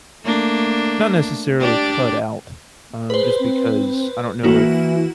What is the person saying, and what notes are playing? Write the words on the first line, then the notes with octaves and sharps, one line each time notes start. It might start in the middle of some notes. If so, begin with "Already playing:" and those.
Not necessarily cut out, um, just because I don’t know if
A3 A#3 D4
D4 G4 D5
G#4 B4 C5
C4
E3 A#3 E4 F#4